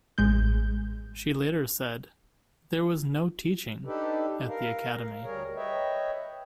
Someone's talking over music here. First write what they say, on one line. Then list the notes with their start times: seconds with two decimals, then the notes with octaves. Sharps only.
She later said, "There was no teaching" at the Academy.
0.18 A1 G#3 G6
3.85 D4 D#4 G4 A4 B4
4.48 A#4 F5
5.23 D2 G3 G#4 A#4 C#5
5.56 B4 C#5 D#5 E5 G5